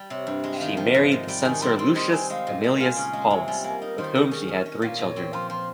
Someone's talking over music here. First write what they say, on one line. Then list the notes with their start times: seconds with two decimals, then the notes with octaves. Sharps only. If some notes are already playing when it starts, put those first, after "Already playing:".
She married the censor Lucius Aemilius Paullus, with whom she had three children.
Already playing: G3
0.09 C3 C#5
0.27 G2
0.44 G#3
0.52 G5
0.56 D#3 F5
0.77 F3 G5
0.94 G#2 F5
1.11 G#2 D#5
1.28 G3 G5
1.45 D#3 G#5
1.61 G3 C6
1.79 C4 C6
1.96 D#4 C6
2.12 C4 G#5
2.30 G#3 F5
2.47 A#2
2.64 G#3
2.80 F4 G#5
2.96 C#3
3.13 G#3
3.31 C3
3.48 G3
3.64 A#3
3.82 D#4 A#4
3.98 D#3 C5
4.15 D#3 A#4
4.31 C#4 G#4
4.49 C#4
4.57 A#4
4.66 C#4
4.82 A#2 G5
4.86 F5
4.99 A#2
5.07 C#5
5.16 C4
5.33 F3 C6
5.50 F3 C6